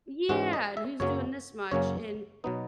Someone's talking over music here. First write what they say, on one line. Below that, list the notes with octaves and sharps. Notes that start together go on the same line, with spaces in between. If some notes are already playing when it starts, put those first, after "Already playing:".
Yeah, and who's doing this much, and
G#2 E3 G#3 C#4 F#4
D#5
E5
F#2 C#3 F#3 A#3 C#4 C#5
F#2 C#3 F#3 A#3 C#4 C#5
B2 F#3 B3 D#4